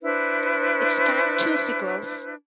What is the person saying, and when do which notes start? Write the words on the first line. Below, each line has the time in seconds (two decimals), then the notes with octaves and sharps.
It spanned two sequels.
0.01 D4 E4 B4 C5